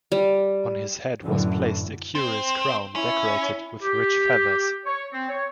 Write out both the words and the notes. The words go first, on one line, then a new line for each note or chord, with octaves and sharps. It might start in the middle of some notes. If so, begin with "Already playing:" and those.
On his head was placed a curious crown decorated with rich feathers.
G3
F#2 A2 D3 E3
C4
C#4 E4
G4
C#5
C4
C#5